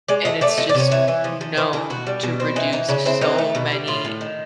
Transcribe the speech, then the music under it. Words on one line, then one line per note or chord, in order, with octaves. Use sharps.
and it's just known to reduce so many,
G#3 D5
A3 D#5
A3 D5
F3 D#5
D5
C3
C#5
E3
E3
F3
F3
E3 C5
E3 A#4
B2 F#4
G3
B2
C4
E3 D#4
E3 D#4
C#3 D4
C4 E4
E3 D#4
A3
B2
G3
A2 F4
A2
D#3